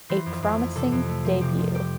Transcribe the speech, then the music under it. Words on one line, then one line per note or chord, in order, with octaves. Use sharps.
A promising debut.
E3 C5
F2
F2
A3
C3 A4
F2
A3
F3
C3 G4
C2
G4